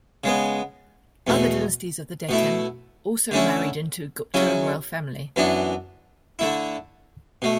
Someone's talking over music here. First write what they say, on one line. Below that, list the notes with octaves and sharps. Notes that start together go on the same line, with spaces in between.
Other dynasties of the Deccan also married into Gupta royal family.
C#3 G#3 B3
E2 B2 A3
B2 A3 E4
D3 A3 C#4 E4
C#3 F#3 C#4 E4
F#2 E3 B3 D4
D3 A3 E4
B2 A3